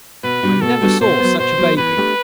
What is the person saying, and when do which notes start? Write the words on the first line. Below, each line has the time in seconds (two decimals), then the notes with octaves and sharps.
'I never saw such a baby.'
0.23 B2 B4
0.43 G3 B3 D4 F#4
0.61 B2 A4
0.81 G3 B3 D4 F#4
1.00 B2 C5
1.20 F#3 B3
1.39 B2 C5
1.58 F#3 B3
1.77 E3 B4
1.97 A3 D4 G4